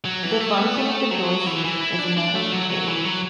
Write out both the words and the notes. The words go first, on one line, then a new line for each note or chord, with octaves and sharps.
The function of the Dorsey is a matter of debate.
F#3
E3
A3
B3
A3
F#3
E3
E3
E4
D4
D4
A3
F#3
F#3
E3
F#3